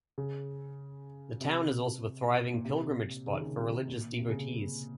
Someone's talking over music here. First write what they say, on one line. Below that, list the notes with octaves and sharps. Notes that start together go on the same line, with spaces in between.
The town is also a thriving pilgrimage spot for religious devotees.
C#3
C3
A#2
C3
C#3
D#3
C#3
C3
A#2
C3
C#3